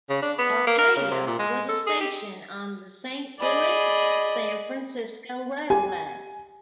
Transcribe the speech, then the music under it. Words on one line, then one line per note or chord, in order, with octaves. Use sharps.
Arcadia was a station on the Saint Louis-San Francisco Railway.
C#3
D4
B3
A#3
A#4
C#3
C3
A#2
G#3
A4
G#4
G4
G#4 D5 D#5 B5
G4 G#5